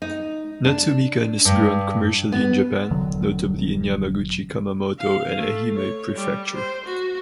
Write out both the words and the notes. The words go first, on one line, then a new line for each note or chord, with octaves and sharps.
Natsumikan is grown commercially in Japan, notably in Yamaguchi, Kumamoto and Ehime prefecture.
D#4
D4
G2
B3
E1 D3 D#3 F#3
F5
A3
C#5
G3
C5
F#4